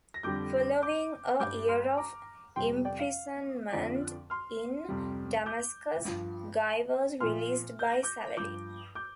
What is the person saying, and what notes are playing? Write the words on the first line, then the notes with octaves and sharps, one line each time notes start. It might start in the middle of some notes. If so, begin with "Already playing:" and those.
Following a year of imprisonment in Damascus, Guy was released by Saladin.
A#6
F2 D3 G3 D6 G6
D6 G6
G2 G3 D6 G6
C6 F6
A#5 D6
F2 C3 G3 G5 C6
D5 G5
F5
F2 D3 F3 D5
C6 F6
F2 C3 G3
D6 G6
G2 F3
A#2 F3 C6 F6
G6
A#6
D6 G6
G2 F3 D6 G6
D6 G6